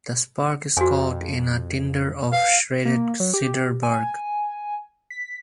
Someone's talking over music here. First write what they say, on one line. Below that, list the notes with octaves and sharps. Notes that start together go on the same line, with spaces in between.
The spark is caught in a tinder of shredded cedar bark.
F2 F#4 G#5
B4 F5
A#3
F#3
G4
G#5
B6